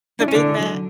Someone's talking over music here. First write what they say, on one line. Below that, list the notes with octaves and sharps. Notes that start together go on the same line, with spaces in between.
The Big Mac?
D4 E4
C#4
D3 D4
A4
F#3